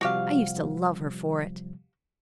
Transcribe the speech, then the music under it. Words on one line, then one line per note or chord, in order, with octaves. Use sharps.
I used to love her for it.
C3 F3 G3 F#4 G4 F5